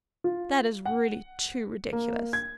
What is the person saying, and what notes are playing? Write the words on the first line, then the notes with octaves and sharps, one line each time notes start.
That is really too ridiculous!
F4
F#5
A#3
G#6